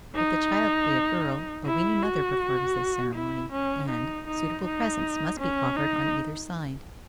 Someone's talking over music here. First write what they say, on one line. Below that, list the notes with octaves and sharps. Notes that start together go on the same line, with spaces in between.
If the child be a girl, a weaning mother performs this ceremony, and suitable presents must be offered on either side.
D#4
E4
F#4
E4
C#4
D#4
D#4
D#4
C#4
D#4